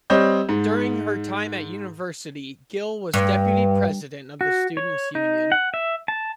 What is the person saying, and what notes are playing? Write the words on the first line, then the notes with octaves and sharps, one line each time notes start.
During her time at university, Gill was Deputy President of the Students Union.
G3 C4 C#5 D#5 G6
G#2
G2
F#4
C#5
D#4
F#5
E5
A5